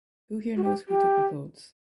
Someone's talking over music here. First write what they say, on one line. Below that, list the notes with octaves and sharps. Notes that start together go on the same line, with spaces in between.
Who Here Knows Who Took My Clothes?
F#4
G4
G4